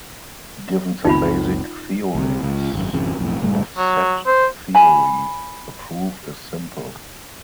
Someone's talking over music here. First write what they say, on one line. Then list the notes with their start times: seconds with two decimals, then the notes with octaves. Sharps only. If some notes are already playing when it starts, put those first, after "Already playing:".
Given some basic theorems of set theory, the proof is simple.
1.05 F#1 C#2 C4 D#4 F4 B5
2.15 C2 C3
2.43 C#2
2.74 G#1 F#2
2.93 G#1 F2 C#3
3.19 B1 F2 A2
3.42 F#1 A2 G3 G#3
3.78 F#3
4.26 C5
4.74 G#5 B5